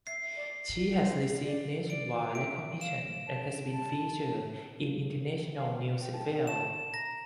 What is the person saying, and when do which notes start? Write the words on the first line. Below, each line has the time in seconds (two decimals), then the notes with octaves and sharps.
She has received nationwide recognition and has been featured in international news as well.
0.07 E5 C7
0.36 D5
0.91 D5
0.98 C5
1.44 D5
1.89 D5 D7
2.35 E5 D7
2.81 F5 E7
3.27 A5
3.73 A5
5.56 F5
6.02 G5
6.14 A5
6.25 G5
6.47 A5 E7
6.93 A#5 A#6